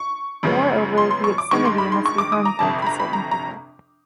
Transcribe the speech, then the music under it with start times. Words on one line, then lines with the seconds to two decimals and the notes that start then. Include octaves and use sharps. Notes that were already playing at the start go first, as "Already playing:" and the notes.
Moreover, the obscenity must be harmful to certain people.
Already playing: C#6
0.43 F#2 C#3 F3 G#3 B3
0.98 C6
1.11 C6
1.24 C#6
1.38 D6
1.51 G2 D#3 G#3 C#6
1.65 C6
1.78 B5
1.92 C6
2.06 C#6
2.18 D6
2.32 D#6
2.45 A#5
2.59 G1 F2 C3 A5
2.82 B5
2.87 A#5
3.00 B5
3.13 A#5
3.31 A#5